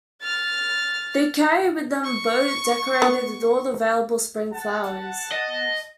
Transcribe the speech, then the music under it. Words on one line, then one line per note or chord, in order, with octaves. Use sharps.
They carry with them a boat decorated with all the available spring flowers.
F6 A6
C#6
B3
F#5 A5
D#5